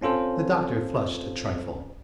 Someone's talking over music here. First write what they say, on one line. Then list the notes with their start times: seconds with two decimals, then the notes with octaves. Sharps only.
The Doctor flushed a trifle.
0.01 C4 C#4 F4 A4 C5